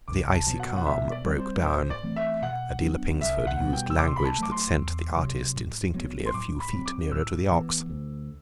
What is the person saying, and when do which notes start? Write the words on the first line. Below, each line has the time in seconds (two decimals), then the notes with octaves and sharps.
The icy calm broke down; Adela Pingsford used language that sent the artist instinctively a few feet nearer to the ox.
0.08 C2 D6
0.34 A5
0.47 B2 F#3
0.60 F#5
0.77 F#5
0.86 B2 E5
1.12 D5
1.25 G3 C4
1.39 C5
1.64 A2 C5
1.90 D5
2.03 E3 A3 C4
2.16 E5
2.42 B2 F#5
2.82 F#3 B3 D4
3.20 C2 E5
3.47 F#5
3.60 B2 G3
3.73 G5
3.90 E6
3.99 C3 D6
4.08 C6
4.16 B5
4.25 A5
4.38 F#3 A3 D6
4.51 C6
4.77 E2
5.16 C3 F#3
5.56 A2
5.94 F#3 B3
6.26 C6
6.34 A2 D6
6.60 B5
6.73 F#3 C4
6.86 D6
7.11 A2 E6
7.52 E3 B3
7.90 D2